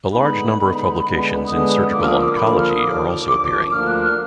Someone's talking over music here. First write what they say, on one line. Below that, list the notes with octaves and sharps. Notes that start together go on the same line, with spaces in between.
A large number of publications in surgical oncology are also appearing.
D3 G#3 B3 D#4 B5
D3 G#3 B3 D#4
D3 G#3 B3
D3 G#3 B3 D#6
D3 F3 A#3 D6
F6
D#6
D6
D3 F3 A#3 B5
F6
D#6
D#2 D3 F3 D6
D#2 D3 F3
D2 D3 F3 A#3 D4 F6
F#6
F6